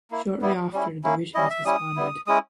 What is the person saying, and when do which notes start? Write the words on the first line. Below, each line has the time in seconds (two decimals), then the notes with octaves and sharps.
Shortly after the division was disbanded.
0.11 A#3 E4
0.42 G3 B3 E4
0.73 G3 C#4 E4
1.04 A#3 C#4 E4
1.34 G3 C#4 E4 D#5
1.50 E5
1.65 G3 C#4 E4 D#6
1.96 G3 B3 E4
2.27 G#3 C#4 E4 D#6